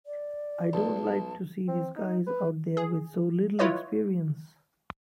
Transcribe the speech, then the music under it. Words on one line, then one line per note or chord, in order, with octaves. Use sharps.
I don't like to see these guys out there with so little experience.
D5
B1 A5
C4
D#4
B4
G#4
E4 F4 B4 C#5 D#5